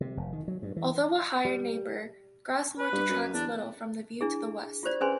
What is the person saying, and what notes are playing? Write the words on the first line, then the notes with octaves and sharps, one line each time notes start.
Although a higher neighbour, Grasmoor detracts little from the view to the west.
C3
F1
D#3
F#3
G2
E3
G3
B4
G2
F#2
E2 D4
D4 E4 G#4
F4 G4 C5 D5
C#4 G#4 B4 C5 G#5 C6